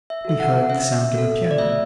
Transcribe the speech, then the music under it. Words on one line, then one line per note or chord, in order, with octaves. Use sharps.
We heard the sound of a piano.
E5
F#4 A4 E5
F#5
C#4 E5
F#4 A4
D5
A3 E5